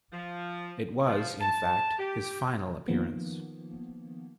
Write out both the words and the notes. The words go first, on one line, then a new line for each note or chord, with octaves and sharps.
It was, in fact, his final appearance.
F3
F3
A5
G4
D#3 F3 A#3 B3